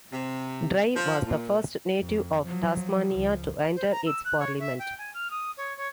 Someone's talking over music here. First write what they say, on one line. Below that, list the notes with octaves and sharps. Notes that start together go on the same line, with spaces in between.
Dry was the first native of Tasmania to enter its parliament.
C3
F3
A#2
F2
F3 F#3
C#2 F3
C5
A#5
E6
F#6
C#5
E5
G5
G#5
F6
D#6
C#5
C#5